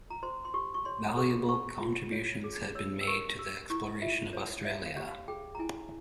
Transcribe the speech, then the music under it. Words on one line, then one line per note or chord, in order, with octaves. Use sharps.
Valuable contributions had been made to the exploration of Australia.
A#5
C5 C6
C6
G4 C#6
C#6
C#5 C6
G#4 C#6
C5 C#6
F4
C#5
G#4
C#5 E6
E6
A#4 C#6
G4 E6
E4 C#6
F4 E5
C5 C#5
C#5 E5
F5
G4
F5
G#4 G5
A#5
E4 G#5